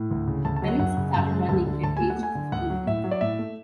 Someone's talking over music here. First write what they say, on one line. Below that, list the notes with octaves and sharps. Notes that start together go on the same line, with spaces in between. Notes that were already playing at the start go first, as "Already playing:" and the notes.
Felix started running at age fifteen.
Already playing: A2
D2
C#3
D2 A5
A5
F#3
F#5
F#2 F#5
C#3
F#2 A5
G#3
D2 A5
D3
D2 A5
A3 G#5
F#5
A3 G#5
D3
D2 F#5
F#3
A2 E5
F#3
D5
A2 E5
A3